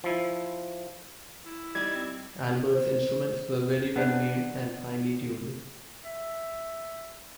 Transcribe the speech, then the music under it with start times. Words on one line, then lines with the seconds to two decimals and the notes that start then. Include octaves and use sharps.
Albert's instruments were very well made, and finely tuned.
0.04 F3 E4
1.45 E4
1.75 G3 D#4 D5 G#6
1.94 C4
2.71 C5
3.96 B3 D4
6.04 E5